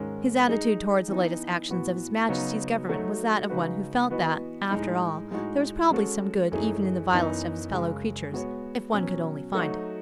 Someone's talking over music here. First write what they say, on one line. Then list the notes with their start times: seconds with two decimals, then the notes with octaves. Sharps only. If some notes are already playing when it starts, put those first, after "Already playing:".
His attitude towards the latest actions of His Majesty's Government was that of one who felt that, after all, there was probably some good even in the vilest of his fellow creatures, if one could only find it.
Already playing: G#2 D#3 G#3 C#4
0.48 G#3 D#4 G#4
1.08 E3 B3 D#4
1.69 A2 E3 B3 F#4 B4
2.29 C#3 F#3 B3 D#4 F#4
2.89 F#3 A3 D#4 F#4
3.50 C#3 G#3 D#4 F#4 B4
4.10 E3 B3 F#4 B4 D#5
4.71 A2 G#3 D#4
5.31 A2 G#3 D#4 F#4
5.90 G#3 C#4 F#4 A4
6.52 F#2 E3 A3 D#4 G#4
7.11 F#2 E3 B3 D#4
7.71 F#2 C#3 G#3
8.32 G#3 B3 F#4 C#5
8.93 B2 F#3 C#4
9.52 F#3 A3 D#4 F#4